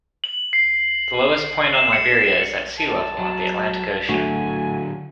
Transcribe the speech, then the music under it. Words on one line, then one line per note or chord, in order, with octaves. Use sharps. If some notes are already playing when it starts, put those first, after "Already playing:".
The lowest point on Liberia is at sea level on the Atlantic Ocean.
F#7
C7
E7
C#7
A5
F#3
D3 F#3 A3 F#4 G#5